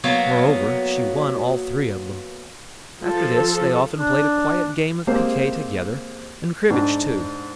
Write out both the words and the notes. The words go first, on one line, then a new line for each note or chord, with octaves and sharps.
Moreover she won all three of them. After this they often played a quiet game of piquet together, and cribbage too.
F#3 A#3 B3
F3 A4
D4
G#3 A#3 C4 G4 C5
G#2 D4